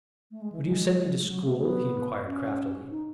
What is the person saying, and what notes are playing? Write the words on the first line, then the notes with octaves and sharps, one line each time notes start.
"Would you send me to school?" he inquired craftily.
A3
G#3
E3
G#3
G#3
F#3
A3
B3
C#4
D#4